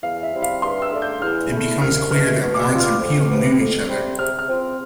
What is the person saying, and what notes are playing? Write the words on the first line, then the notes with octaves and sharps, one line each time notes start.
It becomes clear that Lawrence and Peale knew each other.
E2 F5
E5
C3 G3 C4 E4
F5
G2 C6
E6
D3 A3 D4
G6
E2 F6
D3 A3 E4
C2 F6
B2 A3 F6
B2
D6
E6
G3 B3 F4
F6
F2
C3 F3 B3
F2
C3 G3 C4
C3 F6
F6
F3 C4